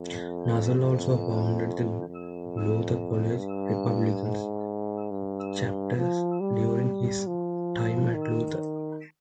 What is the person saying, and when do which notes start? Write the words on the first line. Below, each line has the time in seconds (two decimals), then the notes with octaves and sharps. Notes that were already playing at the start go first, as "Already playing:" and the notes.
Nussle also founded the Luther College Republicans chapter during his time at Luther.
Already playing: F2
0.78 F2
2.08 F2
3.38 G2
4.25 G#2
5.11 G2
5.97 F3
6.41 G3
7.27 F3
8.14 D#3